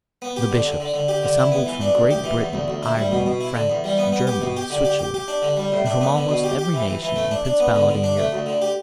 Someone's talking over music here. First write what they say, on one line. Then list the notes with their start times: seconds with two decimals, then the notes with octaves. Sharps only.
The Bishops assembled from Great Britain, Ireland, France, Germany, Switzerland and from almost every nation and principality in Europe.
0.22 B3
0.36 G4
0.51 D3
0.66 D3
0.80 D3
0.94 D3
1.08 G4
1.23 D3
1.38 E4
1.52 B3
1.66 E3
1.81 D4
1.95 D2
2.11 G4
2.24 E3
2.39 E2
2.53 D2
2.68 D2
2.83 E4
2.97 G3
3.11 B2
3.26 B2
3.41 E4
3.55 D3
3.70 E2
3.84 G3
3.98 B3
4.12 B3
4.27 G4
4.42 B2
4.57 G4
4.70 D3
4.85 G4
4.99 G4
5.14 G4
5.28 D4
5.42 D3
5.57 G3
5.72 A2
5.86 D4
6.01 B3
6.15 D3
6.29 B2
6.44 G4
6.59 G4
6.74 E3
6.88 E3
7.02 E3
7.16 A3
7.31 D4
7.45 D4
7.60 B3
7.74 D3
7.89 D3
8.04 D4
8.17 A3
8.32 D2
8.46 D3
8.62 G4